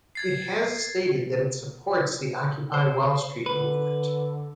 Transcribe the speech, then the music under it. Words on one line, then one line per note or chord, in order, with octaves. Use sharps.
It has stated that it supports the Occupy Wall Street movement.
G#6 A6 C7
C5
D3 B4